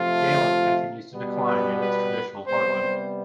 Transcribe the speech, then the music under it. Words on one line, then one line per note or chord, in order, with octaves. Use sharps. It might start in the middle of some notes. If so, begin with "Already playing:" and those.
Gaelic continues to decline in its traditional heartland.
Already playing: C3 F3 A3 F4
B2 G3 B3
B4
B4
C3 G3 B3 C5